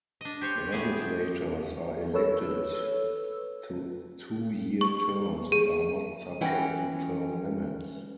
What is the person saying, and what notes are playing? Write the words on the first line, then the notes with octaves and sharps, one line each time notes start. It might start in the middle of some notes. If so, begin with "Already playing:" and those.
Legislators are elected to two-year terms and are not subject to term limits.
D4 D#5
G4 C5 C#5
A3 B3 G4 G#4
A4 B4 C#5 E6
C#6
G#4
E3 C#4 F#5 G5